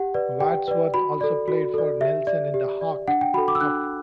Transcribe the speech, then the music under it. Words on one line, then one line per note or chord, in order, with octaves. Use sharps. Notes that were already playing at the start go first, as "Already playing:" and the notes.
Wadsworth also played for Nelson in the Hawke Cup.
Already playing: G4 F#5
B4 D5
G4 G5
B4 D5
F#4 B5
A4 D5
F#4
A4 D5
G4 E5
D5
G4
D5
D4 F#5
G5
F#4 A4 B5
D6
E6
D4 F#6